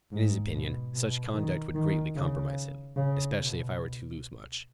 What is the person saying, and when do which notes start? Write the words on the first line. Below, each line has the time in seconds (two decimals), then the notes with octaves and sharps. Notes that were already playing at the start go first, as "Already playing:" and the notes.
In his opinion, such conduct would greatly compromise him--especially if I were to lose much.
0.12 G#2
0.53 B2
0.94 B2
1.34 D#3
1.75 D#3
2.16 C#3
2.96 C#3
3.37 B2